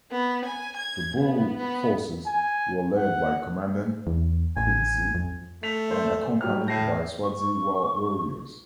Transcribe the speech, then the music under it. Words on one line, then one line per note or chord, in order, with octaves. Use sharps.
The Boer forces were led by Commandant Coetzee and accompanied by Swazi warriors.
B3
G#5
G#6
B3
B3
G#5
F#5
E2
A1 G#5
F2
A3 B6 F7
C5 E5 C6
F#3 G3 F6
A2 G6 A#6 C7
C#6